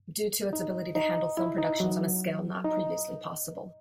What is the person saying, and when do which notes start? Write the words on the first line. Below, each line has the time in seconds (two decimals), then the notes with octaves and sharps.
Due to its ability to handle film productions on a scale not previously possible.
0.53 D#4
0.95 D#4
1.37 E4
1.58 D#4
1.80 F#3
2.64 D#4